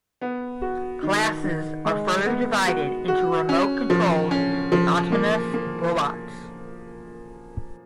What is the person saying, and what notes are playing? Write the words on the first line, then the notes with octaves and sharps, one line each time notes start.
Classes are further divided into remote-controlled and autonomous robots.
B3
F#4
D#3
D#3
G#3
B3
F#4
F#4
C#4
F3
C#4
F3
A#3
A#3